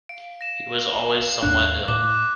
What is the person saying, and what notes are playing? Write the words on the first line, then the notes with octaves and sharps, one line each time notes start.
He was always somewhat ill.
F5 D7
A#6 E7
D#2 G#2 D4 F#6
A2 D6